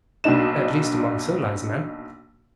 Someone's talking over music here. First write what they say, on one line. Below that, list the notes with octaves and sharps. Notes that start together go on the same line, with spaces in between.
"At least among civilized men."
B1 A#2 D4 D#4 E7